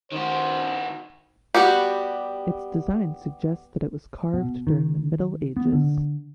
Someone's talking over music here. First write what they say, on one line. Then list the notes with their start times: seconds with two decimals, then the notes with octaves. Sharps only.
Its design suggests that it was carved during the Middle Ages.
0.12 D#3 F#4 C5
1.54 G3 B3 F#4 G4
4.34 B2
4.67 D#3
5.56 B3
5.73 D3